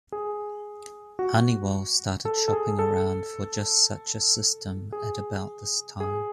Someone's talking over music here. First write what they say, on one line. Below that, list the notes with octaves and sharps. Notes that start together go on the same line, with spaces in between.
Honeywell started shopping around for just such a system at about this time.
G#4
F#4
A4
A4
G#4
A4
G#4
G#4